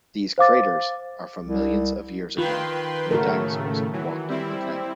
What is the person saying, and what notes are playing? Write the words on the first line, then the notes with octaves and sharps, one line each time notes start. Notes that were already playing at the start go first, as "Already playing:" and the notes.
These craters are from millions of years ago when dinosaurs walked the planet.
C5 F5 D6 A6
C2
D#3 F4 B4 G5 C6
A2 C#3 A3 F#4 A#4
E3 F#3
G3 C4 E4